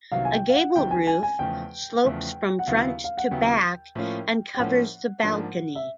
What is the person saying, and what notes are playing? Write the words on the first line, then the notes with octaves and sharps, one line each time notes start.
A gable roof slopes from front to back and covers the balcony.
C2 C3 D#3 F#3 B3 F5
G#5
G5
F5
F#5
C2 C3 D#3 F#3 B3 G5
G#5
G#5
G#5
E2 C#3 F3 A3 G5
E2 C#3 F3 A3
F#5
D#2 C#3 F#3 B3 E4 F5
F5
F#5
D#2 C#3 F#3 B3 E4 G5
A2 F3 A#3 C#4 F4
G5
A2 F3 A#3 C#4 F4 F#5
G#2 F3 A#3 D4
E5